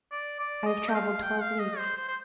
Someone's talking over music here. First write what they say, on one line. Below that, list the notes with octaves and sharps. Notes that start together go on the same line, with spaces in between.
I have travelled twelve leagues.
D5
D5
D#5
G5
F5
G5
F5
D#5
C5
C5
C5